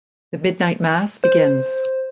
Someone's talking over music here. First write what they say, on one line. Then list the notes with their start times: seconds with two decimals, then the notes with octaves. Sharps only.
The midnight mass begins.
1.24 C5